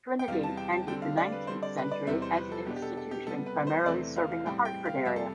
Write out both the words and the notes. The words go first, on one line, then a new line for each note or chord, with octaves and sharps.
Trinity ended the nineteenth century as an institution primarily serving the Hartford area.
G5
E2 C3 G3 F5
A5
G5
A5
D3 G3 C4 G5
F5
D5
B4
D3 G3 C4 C5
D5
B4
D5
E2 C3 G3 C4 E5
C5
B4
A4
B2 B3 D4 G4
G4
A4
A4
G4
C3 G3 B3 A4
B4
C5
E2 C3 E3 A3 C4 D5
F5
F5
A2 G3 C4 G5
G5
F5
F2 C3 G3 E5
A4